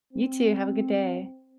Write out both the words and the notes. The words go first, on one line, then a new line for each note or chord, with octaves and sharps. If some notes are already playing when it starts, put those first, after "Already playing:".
You too, have a good day.
C4